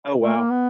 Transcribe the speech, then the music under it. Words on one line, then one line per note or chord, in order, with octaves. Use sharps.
oh, wow.
A3
A#3
B3